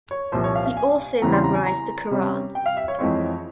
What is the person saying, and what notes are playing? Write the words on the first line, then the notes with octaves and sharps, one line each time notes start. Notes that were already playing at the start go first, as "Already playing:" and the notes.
He also memorised the Qur'an.
C#5
C2 A#2 F3 C5
C#5
F5
F5
G#5
E2 C#3 E3 G3 C4 A#5
C6
A#5
G#5
A#5
C3 G3 C#4
G5
F5
E5
C#5
F2 E3 G#3 C4 C#5